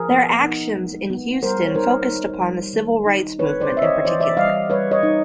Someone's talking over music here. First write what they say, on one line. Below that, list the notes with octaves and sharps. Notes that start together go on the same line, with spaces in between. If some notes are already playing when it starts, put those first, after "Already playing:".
Their actions in Houston focused upon the Civil Rights Movement in particular.
Already playing: F3 G#4 A#4
B3
D#4
G#3
B3
G3 A#4 C5
C#5
D#4 A#4 C5
D#4
G3
D#3
D#4
C4 B4 C#5
C5 D5
C4 E5
C#5 D#5
E3 C5 D5
D5 E5
G3 D#5 F5
G3 B4 C#5
C#5 D#5
D#4